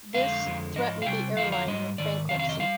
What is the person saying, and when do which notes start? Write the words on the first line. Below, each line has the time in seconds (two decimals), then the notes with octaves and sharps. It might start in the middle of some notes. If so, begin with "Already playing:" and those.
This threatened the airline with bankruptcy.
0.14 F2 D3 G#3 F5
0.46 F2 D3 F3 G#3
0.76 G#2 F3 D#5
1.02 F5
1.06 C3 G3 G5
1.36 F2 D3 F3 F5
1.52 F5
1.68 G#2 G3 D#5
1.98 G#2 D#3 D5
2.29 F2 C3 D#3 F5
2.39 F5
2.49 D#5
2.59 D#3 G3 F5